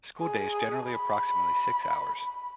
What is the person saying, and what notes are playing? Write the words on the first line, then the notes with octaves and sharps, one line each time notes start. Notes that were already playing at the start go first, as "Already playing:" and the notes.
The school day is generally approximately six hours.
G#4
B5